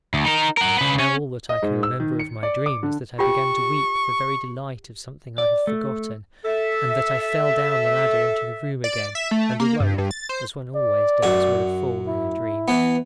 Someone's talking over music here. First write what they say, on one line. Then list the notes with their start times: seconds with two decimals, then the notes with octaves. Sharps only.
Now all that I can remember of my dream is that I began to weep for very delight of something I have forgotten, and that I fell down the ladder into the room again and awoke, as one always does with a fall in a dream.
0.14 D2
0.26 D#4 A#4
0.57 A#4 F#5
0.78 C#3 B4
0.99 C#4
1.49 D#5
1.62 G#2
1.83 E6
2.00 D#3
2.19 C#7
2.43 D5
2.66 D6
2.83 D3
3.19 F4 G4 G5 C#6
5.38 D5
5.67 A3
6.45 A4 E5
8.84 D5
9.15 E5
9.31 A3
9.60 A#3
9.80 G2
9.98 G2
10.11 A6
10.29 C5
10.76 D5
11.23 F#2 F#4
12.07 E4
12.68 E3 B3